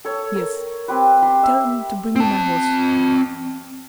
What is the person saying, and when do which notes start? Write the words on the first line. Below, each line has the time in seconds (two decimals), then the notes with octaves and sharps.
"Yes, tell them to bring me my horse."
0.05 A4 C#5
0.36 A#4
0.88 C4 G4 B4
1.22 G4 B5 C6
1.43 E5
2.16 C4 A5